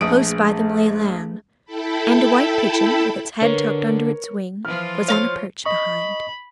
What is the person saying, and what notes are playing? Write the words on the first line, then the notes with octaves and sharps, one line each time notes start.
Close by them lay a lamb, and a white pigeon, with its head tucked under its wing, was on a perch behind.
A#1 A3 G#4 B4 D#6 D7
E4 A4 G5 A5 B5
D3 A#4 B4 C#5
E3 F3 F4 F6
C5 C#5 F5 A#5 C6
D#5 B5 C#6